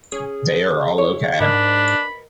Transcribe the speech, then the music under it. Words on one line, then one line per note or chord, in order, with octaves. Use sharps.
They are all OK.
C#4 G#4
E4 C#5
G#2 D4 A#4 D#5 B5